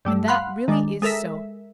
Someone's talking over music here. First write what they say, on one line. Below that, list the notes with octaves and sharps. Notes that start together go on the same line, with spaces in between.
And that really is so.
G2 G3 A3
F5 F#5 B5 C6 F#6
D#3 G#3 D4
G#3 A4 A#4 E5 B6